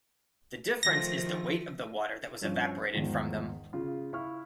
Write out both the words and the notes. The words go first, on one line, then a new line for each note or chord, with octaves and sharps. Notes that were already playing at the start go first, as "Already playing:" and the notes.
The difference is the weight of the water that was evaporated from them.
D#3 F3 A3 A#6
G2 F3 C#4
E2 G#2 D#3 F3
C#3 F4
E4 F5 C#6 F6